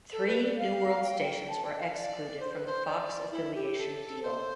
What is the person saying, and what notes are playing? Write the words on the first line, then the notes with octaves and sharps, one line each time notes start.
Three New World stations were excluded from the Fox affiliation deal.
A4
B4
D5
F5
G5
G5
A5
G5
F5
D5
C5
B4
C5
D5
E4
G4
A4
C5